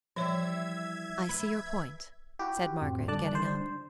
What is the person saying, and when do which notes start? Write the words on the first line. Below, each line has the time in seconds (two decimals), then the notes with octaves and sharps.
"I see your point," said Margaret, getting up.
0.16 E3 F3 G3 C#5 E5 G#6
1.29 B4
2.39 E4 F#4 G4
2.81 F2 A2 C4
3.08 D3 G3 D4 D5 A5 F#6
3.35 C5